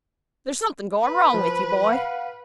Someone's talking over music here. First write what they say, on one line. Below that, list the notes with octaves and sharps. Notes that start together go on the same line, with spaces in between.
There's something going wrong with you, boy.
B4
F3
F5 F#5